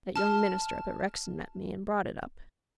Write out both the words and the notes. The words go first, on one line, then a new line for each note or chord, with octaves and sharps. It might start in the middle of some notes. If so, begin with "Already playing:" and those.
That young minister up at Rexton met me and brought it up.
A5 F6